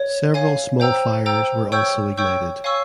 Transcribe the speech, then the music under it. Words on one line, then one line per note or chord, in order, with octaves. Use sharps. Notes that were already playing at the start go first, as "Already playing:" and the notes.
Several small fires were also ignited.
Already playing: C#5
C#5 F5 G#5
C5 G5 A#5 E6
C5 G5 A#5 E6
C#5 G5 C#6 E6 G6
C#5 G5 C#6 E6 G6
C#5 F5 G#5 C#6 E6